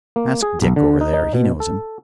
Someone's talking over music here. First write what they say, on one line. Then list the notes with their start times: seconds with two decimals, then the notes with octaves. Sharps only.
"Ask Dick over there; he knows him."
0.16 A#3
0.43 G#4
0.62 B1
0.76 D3
1.01 D#4
1.14 D#4
1.34 B2
1.60 A4